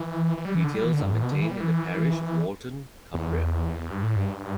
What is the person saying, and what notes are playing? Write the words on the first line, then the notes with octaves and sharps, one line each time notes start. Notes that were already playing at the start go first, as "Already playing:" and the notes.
Details are maintained in the parish of Whorlton, Cumbria.
Already playing: E3
E3
G3
E3
D3
G3
E3
D3
G2
A2
B2
D3
E3
G3
E3
E2
G2
A2
G2